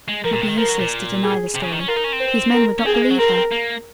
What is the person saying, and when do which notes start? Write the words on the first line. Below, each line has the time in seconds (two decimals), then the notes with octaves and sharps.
It would be useless to deny the story; these men would not believe her.
0.08 G#3
0.24 F3 A#4
0.33 A#2
0.41 C3
0.48 D#3
0.57 F3 A#4
0.68 F#3
0.79 A#2
1.23 G#4
1.55 C3
1.63 C#3
1.72 D#3
1.79 C#4
1.88 F4 A#4
1.96 D#4
2.04 C#4
2.12 C4
2.20 C5
2.53 A#4
2.78 C#4
2.86 C4 G#4
2.94 A#3
3.02 G#3
3.10 F#3
3.19 C4 A#4
3.51 A#3